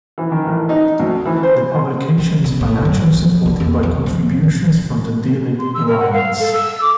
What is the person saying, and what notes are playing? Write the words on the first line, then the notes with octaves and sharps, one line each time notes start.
The publication is financially supported by contributions from the D-Lib Alliance.
E3
D#3
A1
D#4
D2
E3
C5
C#3
B2
A2
F#2
F3
D3
E2
A3
F3
A2
D3
C6
E6
A#4
F#5
F5
A4
E6
D6